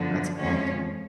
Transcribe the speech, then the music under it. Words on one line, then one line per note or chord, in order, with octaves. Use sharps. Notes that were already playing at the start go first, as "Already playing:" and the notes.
That's awesome.
Already playing: F#2 D3 F3 B3
F2 F3 G#3 C#4